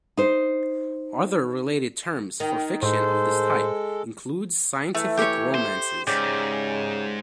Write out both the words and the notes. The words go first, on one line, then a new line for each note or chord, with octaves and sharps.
Other related terms for fiction of this type include scientific romances.
D#4 C5
D#3
A2 G#3 A4 C5
E3 A3
G4 C#5
C5
G#2 C#3 G4 D5